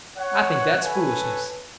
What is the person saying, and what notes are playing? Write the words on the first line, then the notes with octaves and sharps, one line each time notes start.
I think that's foolishness.
C#5 F#5
A4 B4 C#5 G#5